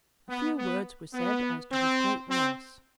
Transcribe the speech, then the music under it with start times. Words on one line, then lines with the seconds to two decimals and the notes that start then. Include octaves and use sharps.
A few words were said as to his great loss.
0.29 B3
0.57 B3
1.14 B3
1.72 C4
2.30 C4